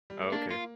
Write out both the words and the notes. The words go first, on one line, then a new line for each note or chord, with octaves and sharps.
Oh, okay.
G3
A3
A#3 D4
F4